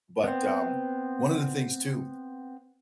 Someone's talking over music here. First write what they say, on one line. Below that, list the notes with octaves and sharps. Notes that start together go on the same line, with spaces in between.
But um one of the things too
B3 C4